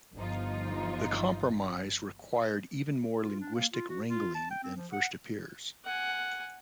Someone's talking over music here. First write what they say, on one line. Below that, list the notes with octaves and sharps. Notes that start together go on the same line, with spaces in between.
The compromise required even more linguistic wrangling than first appears.
G1 F3 D#4 F4
F4
D4
A#3
F4
F#4
F4
A5
G5
C4
F3
F#5
F#5 G#5